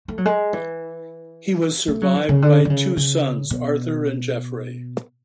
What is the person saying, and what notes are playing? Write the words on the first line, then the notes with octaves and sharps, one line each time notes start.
He was survived by two sons, Arthur and Jeffrey.
A3
F#3
G#3
E3
A3
F#3
E3
C#3
D3
D3
C#3
C#3
B2